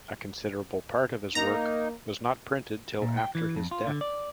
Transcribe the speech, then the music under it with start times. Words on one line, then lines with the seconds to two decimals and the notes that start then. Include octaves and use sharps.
A considerable part of his work was not printed till after his death.
1.35 A#3 D#4 A#5
3.02 A#2
3.17 G5
3.35 E3
3.56 F2
3.71 F4
3.87 D3
4.01 D5